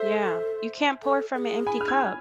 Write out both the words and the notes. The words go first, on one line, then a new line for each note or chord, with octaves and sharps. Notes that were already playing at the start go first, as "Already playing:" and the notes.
Yeah. You can't pour from an empty cup.
Already playing: A4 C5 E5
A4
A4
G#4
G#5 B5
F6
E6 G#6